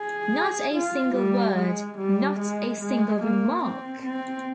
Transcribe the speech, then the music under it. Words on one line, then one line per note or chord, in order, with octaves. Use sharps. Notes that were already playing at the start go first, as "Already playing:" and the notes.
Not a single word, not a single remark!
Already playing: G#4
F4
G3
G#3
G3
G#3
G#3
A#3
C4
C4